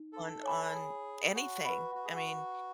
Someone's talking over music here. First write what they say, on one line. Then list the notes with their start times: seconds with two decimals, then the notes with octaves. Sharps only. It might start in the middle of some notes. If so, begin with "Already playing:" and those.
on on anything, I mean,
Already playing: D#4
0.13 A4
0.43 C#5 G#5 B5
0.74 G#4
1.35 F#4
1.65 B4 F#5 B5
1.95 F#4
2.05 G#4
2.15 F#4